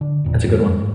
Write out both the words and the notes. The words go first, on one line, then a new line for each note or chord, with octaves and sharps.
That's a good one.
D3
G#1 E2 A#2
F2 G#2